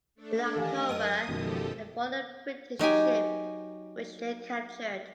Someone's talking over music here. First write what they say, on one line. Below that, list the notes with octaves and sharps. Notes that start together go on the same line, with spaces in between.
In October, they followed a British ship which they captured.
A3 D4 A4
D#3 E3 G4 A#4 D#5 F5 G#5 D#6
F#2 D#5 A5 D#6 F6
F#1 B2 D#3 F3 G#3 G4 A4
F#3 D#4 G4 G#5